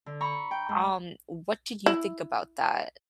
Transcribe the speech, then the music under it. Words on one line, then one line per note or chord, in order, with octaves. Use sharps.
um, what did you think about that?
D3
A#5 B5 C#6
G5
G#2
E4